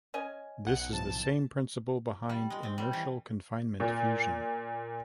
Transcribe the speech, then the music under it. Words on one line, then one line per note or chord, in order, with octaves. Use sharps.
This is the same principle behind inertial confinement fusion.
C#4 D#5 G#5
B1 F#5
A2 C3 F3 A5
G3
G#3
C4
G3
E3
A#2